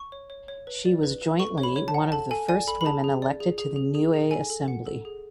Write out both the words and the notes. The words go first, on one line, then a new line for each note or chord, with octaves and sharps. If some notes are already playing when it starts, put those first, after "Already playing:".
She was jointly one of the first women elected to the Niue Assembly.
Already playing: C#6
C#5
C#5
C#5
B4
D5
B4
B4
A4 C#6
C#5
B5
C#5
A5
F#5
A4 A5
A4 G#5
D5 G#5
A4 B5
B5
G#4 A5
G#4
D5
G#4
G#4
G#4
G#4
G#4
A4 G#5
A4
F#5
A4
G#4